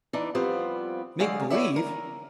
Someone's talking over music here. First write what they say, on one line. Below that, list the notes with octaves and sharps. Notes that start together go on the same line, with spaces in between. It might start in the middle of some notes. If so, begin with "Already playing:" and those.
"Make believe!"
E3 D4 D#4
F3 G3 B3 C4 F4
D3 F#3 G#3 G#4 F5
E4 F#4 G4 C#5 D5 E5
A#4